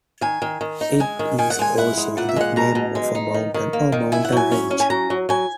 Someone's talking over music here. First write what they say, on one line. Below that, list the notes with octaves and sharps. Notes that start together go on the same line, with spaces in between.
It is also the name of a mountain or mountain range.
D#3 G#5
D#3
D#3
D#4
G#3 G#5
D#3
D#3 G#5
F#5
G#3 G#5
E4 F#5
G#3
A#2 F#5
E5
G#3 F#5
B2 A#5
B2
G#3
D#4
D#3
D#3
A#3
D#3
E4 G#5
F#5
F#3 G#5
C#4
C#4
G#5
F#3 A#5
F#3
F#3 G#5